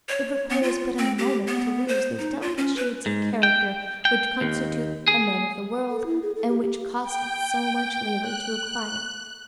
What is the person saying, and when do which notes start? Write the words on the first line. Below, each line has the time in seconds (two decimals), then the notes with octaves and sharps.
It requires but a moment to lose those delicate shades of character which constitute a man of the world, and which cost us so much labor to acquire.
0.09 C#5
0.50 B3
0.63 F4
0.98 C4
1.18 G4
1.47 B3
1.88 C5
2.19 D#4
2.42 F4
2.58 C#4
2.77 B4
3.06 G#2
3.43 G5
4.05 G5
4.41 D#2
5.08 G#4
5.90 A4
6.06 E4
6.23 G#4
6.36 A4
6.48 G4
6.61 G4
7.03 G5
8.21 F#6